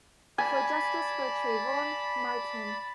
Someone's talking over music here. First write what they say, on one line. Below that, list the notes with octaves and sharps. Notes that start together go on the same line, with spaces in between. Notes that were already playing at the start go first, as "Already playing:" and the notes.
For justice for Trayvon Martin.
D5 G#5 A5 B5